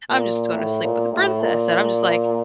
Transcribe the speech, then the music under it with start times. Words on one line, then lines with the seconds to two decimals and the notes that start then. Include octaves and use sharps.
"I'm just gonna sleep with the princess," and I'm just like,
0.10 A#2
0.54 A2
0.84 A#2
1.13 A2
1.42 A#2